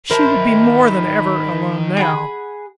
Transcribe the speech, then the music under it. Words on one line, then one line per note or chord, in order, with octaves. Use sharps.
She would be more than ever alone now.
D#3 E4 A#4 C5 A5 B5
G#4 F#5 B5